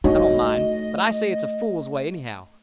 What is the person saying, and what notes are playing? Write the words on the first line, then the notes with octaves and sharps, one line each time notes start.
I don't mind; but I say it's a fool way, anyhow.
A3 D#4 F#4 C#5 D#5